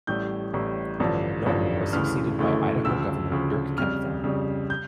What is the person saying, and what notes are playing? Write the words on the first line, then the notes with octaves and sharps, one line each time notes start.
Norton was succeeded by Idaho governor Dirk Kempthorne.
A1 A2 G3 G6
A1 A2 G3
A1 G2 D3 F3
A1 G2 D3 F3
D2 C#3 E3 A3 F6
D2 C#3 E3 A3
D2 C#3 F3 E6
D2 C#3 F3
F2 C#3 G3 F6
F2 C#3 G3
G6